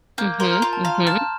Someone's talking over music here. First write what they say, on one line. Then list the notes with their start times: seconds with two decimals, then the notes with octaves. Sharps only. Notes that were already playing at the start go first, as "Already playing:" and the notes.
Mhm, mhm.
0.18 A#3 G6
0.40 A#4 C6
0.53 C6
0.62 F4 A#5
0.73 A5
0.84 F5 A#5
0.95 C6
1.07 A5 F6